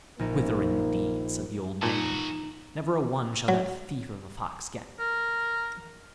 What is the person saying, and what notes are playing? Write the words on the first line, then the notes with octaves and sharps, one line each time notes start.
'Whither, indeed', said the old dame; 'never a one shall that thief of a Fox get.
A#1 A#3 D#4
A#2 E3 D#4 F#4 A5
F#3
A#4